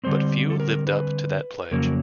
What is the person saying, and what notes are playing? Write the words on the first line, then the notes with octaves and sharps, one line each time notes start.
But few lived up to that pledge.
D3 G3 C4 C5
A4
A#4
B4
F2 C#3 F#3 A#3 C#4 A#4